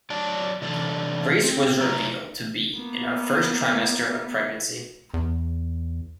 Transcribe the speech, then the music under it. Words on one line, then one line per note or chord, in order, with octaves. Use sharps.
Grace was revealed to be in her first trimester of pregnancy.
F#3 D5 A5
C3 E3 D4 A4 D5
C4
C3 F#3 E4 A#4 A#5
A#3 B3
E2